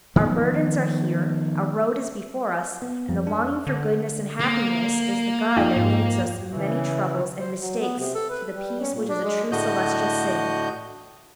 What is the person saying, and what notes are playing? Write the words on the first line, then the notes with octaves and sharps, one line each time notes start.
Our burdens are here, our road is before us, and the longing for goodness and happiness is the guide that leads us through many troubles and mistakes to the peace which is a true Celestial City.
D#3 F3 A3 B3
B3
F2
D4
D3
A#3
F2 D#4 F4 G5
G#2
C#3 E3
C5
F#3
B3
C3
A4
B4
G3
C#4
A#2
D4
G#3
A2 D3 F#4 D#5 G6